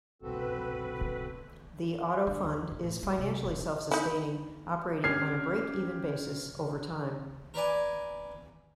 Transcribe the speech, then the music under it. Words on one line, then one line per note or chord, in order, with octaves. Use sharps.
The Auto Fund is financially self-sustaining, operating on a break-even basis over time.
F#1 C2 B2 C4 F#4 A4 B4
D3
D#2
A2
A2
G3
C3
D#1
D#4 E4
C#4 G4 F6 G#6 C7
A#4 B4 D5 G#5